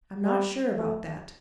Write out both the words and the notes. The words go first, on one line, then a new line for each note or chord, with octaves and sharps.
"I'm not sure about that."
G3
A3